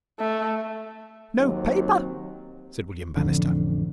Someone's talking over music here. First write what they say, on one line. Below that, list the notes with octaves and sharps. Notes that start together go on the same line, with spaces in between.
"No paper," said William Bannister.
A3
D#2 F#3 C4
A1 F2 D3